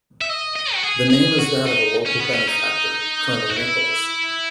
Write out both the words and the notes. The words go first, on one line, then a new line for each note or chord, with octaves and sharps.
The name is that of a local benefactor, Colonel Nichols.
E5
D#5
D#5
F#4
G#4
G#4
F#4
D#4
C#4
B3
C#4
D#4
F#4
E4